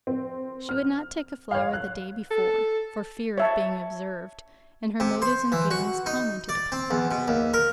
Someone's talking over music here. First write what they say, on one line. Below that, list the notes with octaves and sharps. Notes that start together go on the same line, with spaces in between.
She would not take a flower the day before, for fear of being observed, and her motives and feelings commented upon.
C4
F6
C#5 F5
F#6
A4
C#5 E5 A5
C3
C5
E3
F#4
D#4
D5
C4
E2
B2
D#2
A#4